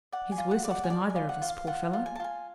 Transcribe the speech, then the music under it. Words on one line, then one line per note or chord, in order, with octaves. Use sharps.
He's worse off than either of us, poor fellow.'
D5 F#5
G#5
F4
F#5
D5
F#5
G#5
D5 A5
G#5
F4
F#5
F4
F5
F4 F#5
F4
G#5
A5
F4 G#5